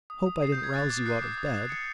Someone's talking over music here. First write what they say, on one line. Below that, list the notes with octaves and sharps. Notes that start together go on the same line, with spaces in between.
"Hope I didn't rouse you out of bed."
D#6
D#6
D#6 C7
G6
D#6
G#6
F#6 A6
D6
F#6 C7
D6
D#6
F#6
D#6 C#7